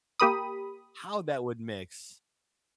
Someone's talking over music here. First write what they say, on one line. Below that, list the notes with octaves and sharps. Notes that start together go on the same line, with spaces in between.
how that would mix.
A#3 G4 A#4 B5 D#6